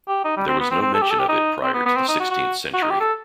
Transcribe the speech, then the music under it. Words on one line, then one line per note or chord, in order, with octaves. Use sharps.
There was no mention of it prior to the sixteenth century.
G4
D#4
G3
C4
B3
C4
C4
A4
G4
A4
G4
D#4
C4
B3
B3
C4
D#4
F#4
F#4
F#4
D#4
G4
A4